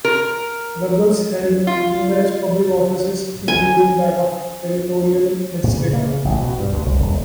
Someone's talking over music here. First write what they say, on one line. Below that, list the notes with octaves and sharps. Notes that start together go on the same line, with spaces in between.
Ruggles held numerous public offices including that of Territorial Legislator.
A#4
F4
G#5
A#2
C#3
A#3
C#3
A1
B2
G2
D2
C2
D#1